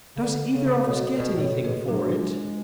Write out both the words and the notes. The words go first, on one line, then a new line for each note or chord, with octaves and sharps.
"Does either of us get anything for it?"
C#3
D3 B4 D5
C#3 A4 C#5
B2 A4 C#5
B2 B4 D5
A2
B2 A4 C#5
B2 G#4 B4
F#3 D4 F#4
G#3 F4 G#4